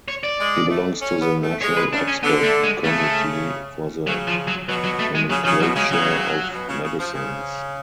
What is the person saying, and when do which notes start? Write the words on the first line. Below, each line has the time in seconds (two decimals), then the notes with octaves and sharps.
He belongs to the national expert committee for the nomenclature of medicines.
0.08 C#5
0.23 D5
0.39 G#3
0.69 A3
1.01 C#4
1.21 B3
1.41 A3
1.61 G#3 C#5
1.77 B4
1.93 C#3 D4
2.08 C#4
2.22 D3 B3
2.43 A3
2.63 G#3
2.84 C#3 A3
4.07 C#3 F#3
4.27 F3
4.47 F#3
4.69 B2 F#3
4.84 F#3
4.99 A3
5.15 G#3
5.30 C#3 F#3
5.45 C#3 F3
5.60 B2 F#3
5.75 C#3 G#3
5.91 C#3 F#3
6.52 B2
6.68 C#3
6.83 C#3
6.99 F3
7.13 C#3